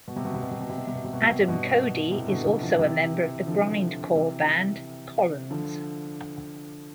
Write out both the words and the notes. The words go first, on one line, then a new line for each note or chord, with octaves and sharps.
Adam Cody is also a member of the grindcore band Columns.
B2
C3
B2
C3
B2
C3
B2
C3
B2
C3
B2
C3
B2
C3
B2
C3
G2 B2
A2 C3
B2 D3
B2 D3
D3 F3
C3 E3
D3 F3
C3 E3
D3 F3